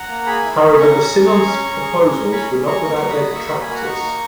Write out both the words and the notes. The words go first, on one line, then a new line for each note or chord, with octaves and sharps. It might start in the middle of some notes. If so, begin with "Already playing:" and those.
However, the synod's proposals were not without their detractors.
Already playing: F#5 A#5
A#3
G#4 G#5 B5
E4
A#3
C#4 A#5 C#6
C#4
G#4
G#4
C#4
C#4
G#4
G#4
C#4
C#4 G#5 B5
G#4
G#4 A#5 C#6
A#3 A#5 C#6
F#4
B5 D#6
D#4
A#3 C#6 E6
A#3 B5 D#6
G#5 B5
F#4 F#5 A#5
D#4 A#5 C#6
A#3